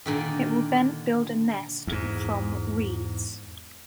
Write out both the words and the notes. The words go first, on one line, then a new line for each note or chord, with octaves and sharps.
It will then build a nest from reeds.
A#2 D3 D#3
E2 G#2